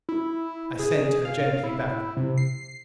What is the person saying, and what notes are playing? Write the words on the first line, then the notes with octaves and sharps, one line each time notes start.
I sent her gently back.
E4
G#4
F5
E4
C3
C7